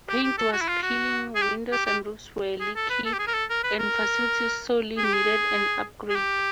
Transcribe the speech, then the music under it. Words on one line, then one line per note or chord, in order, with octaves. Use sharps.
Paint was peeling, windows and roofs were leaky, and facilities sorely needed an upgrade.
G4
G4
A4
F#4
E4
F4
F#4
G#4
G4
G4
G4
G#4
A4
B4
A4
G4
G#4
A#4
A4
A#4
B4
A#4
G#4
G4
G#4
G#4
G4